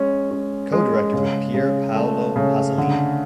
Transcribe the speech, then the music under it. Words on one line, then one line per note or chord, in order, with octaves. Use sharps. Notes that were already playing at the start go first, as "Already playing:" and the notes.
Co-director with Pier Paolo Pasolini.
Already playing: G#3 C#4
C#4
G#3
C#3
C#3
A3
C#3
D3